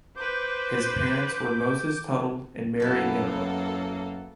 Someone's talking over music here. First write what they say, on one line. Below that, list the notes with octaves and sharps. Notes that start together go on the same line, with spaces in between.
His parents were Moses Tuttle and Mary Merrow.
B4 C5 D6 G6
F#2 A#3 B3 E4 A4